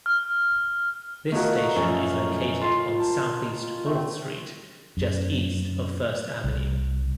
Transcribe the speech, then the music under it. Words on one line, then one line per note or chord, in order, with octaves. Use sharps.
This station is located on Southeast Fourth Street just east of First Avenue.
F6
A3 D#4 F4 F#4 A#4 C#5
F#2 F3 C#4
F4 C6
A5
A3 C4
F#2
C2